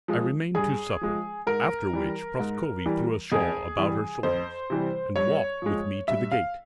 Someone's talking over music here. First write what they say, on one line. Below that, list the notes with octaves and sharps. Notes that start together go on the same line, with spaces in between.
I remained to supper, after which Prascovie threw a shawl about her shoulders and walked with me to the gate.
F3 G#3
G2 G#4
F3 G#3
G#2 A#4
E3 G3
G#2
E3 G3
F2 G#4
C3 E3 G3
F2 C5
C3 E3 G3
G2 C#5
F3 G#3
G2 E5
F5